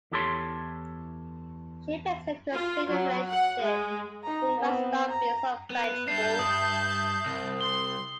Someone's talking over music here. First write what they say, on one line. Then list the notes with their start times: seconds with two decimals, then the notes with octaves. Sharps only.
She begs him, to seal their relationship, that he must stop being so vengeful.
0.12 E2 E4 G4 A4 C#5 C6
2.53 F4
2.90 F#3
3.31 F#5
3.63 G#3
4.24 D#4 A#5
4.58 B3 C4
5.08 A#5
5.70 B3
6.08 G3 D4 E5 A5 G6 C7
6.39 G2 D#6
7.25 C2
7.61 C6 G7